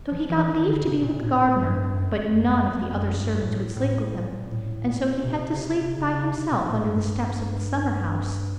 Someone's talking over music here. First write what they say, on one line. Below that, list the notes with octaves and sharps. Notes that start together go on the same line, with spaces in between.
So he got leave to be with the gardener, but none of the other servants would sleep with him, and so he had to sleep by himself under the steps of the summer-house.
F3
E3
D#3
D3
C#3
A#2
A2
G2
F#2
F2
F#2
F#2
F2
F#2
G2
A2
A2
A#2
A2
A#2
C3
C#3
C3
C#3
C3
A#2
A2
G2